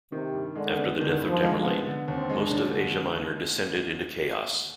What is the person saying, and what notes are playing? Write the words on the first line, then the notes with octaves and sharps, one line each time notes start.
After the death of Tamerlane, most of Asia Minor descended into chaos.
C3 D#3
G2
D3 G#3
B3
D3 D#3
G2
F3
G#3
F3
B3
D3
D#2
C4
G#3
D4
D#2
D3